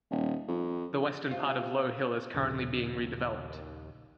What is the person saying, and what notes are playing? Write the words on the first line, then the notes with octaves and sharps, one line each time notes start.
The western part of Low Hill is currently being redeveloped.
D#1
F2
C3 F4
A#1 D#2 C#3